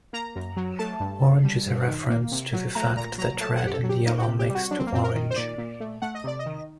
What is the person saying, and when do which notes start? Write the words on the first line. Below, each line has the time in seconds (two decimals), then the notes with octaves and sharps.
Orange is a reference to the fact that red and yellow mix to orange.
0.13 A#3 A#5
0.36 F#2
0.57 F#3
0.79 A3 A5
1.00 G2
1.23 D3
1.44 G3
1.66 G2
1.88 D#3
2.10 A#3
2.32 C3
2.53 F#3
2.75 A3 A#5
2.97 A#2 A#5
3.18 F#3 A#5
3.40 A3 A5
3.56 F#5
3.63 F#2 G4
3.73 A4
3.84 F#3
3.89 G4
4.06 A#3 D#4
4.18 F#4
4.22 G4
4.27 C3
4.39 G4
4.49 G3
4.55 F#4
4.71 F#3 D4
4.79 C4
4.87 A#3
4.92 F#2 C4
5.04 A#4
5.15 D#3
5.31 C5
5.36 A#2 D5
5.58 A#2
5.80 A3
6.02 A3 F#5
6.15 D#5
6.24 C3 D5
6.39 D#5
6.46 D#3